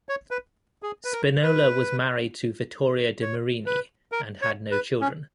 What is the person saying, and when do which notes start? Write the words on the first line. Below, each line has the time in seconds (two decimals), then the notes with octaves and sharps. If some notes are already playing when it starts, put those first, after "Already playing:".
Spinola was married to Vittoria De Marini and had no children.
0.09 C#5
0.31 B4
0.83 G#4
1.05 B4
1.13 A#4
1.43 B4
3.22 C#5
3.66 B4
4.12 A#4
4.42 C#5
4.71 B4
5.01 C#4